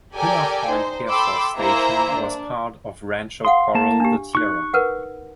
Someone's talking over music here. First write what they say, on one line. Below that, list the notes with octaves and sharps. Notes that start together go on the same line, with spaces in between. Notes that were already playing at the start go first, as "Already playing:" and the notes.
Pillar Point Air Force Station was part of Rancho Corral de Tierra.
G4 A4 A#4 D5 G5 G#5
D#4 C5
A4 G5 B5 C6 D6 E6
A#3 E4 C5 E5 G#5 A#5
D4
A4 F5 F#5 C6
A#3 A5
D4 G4
D#4 C#6 F#6
A#4 B4 F#5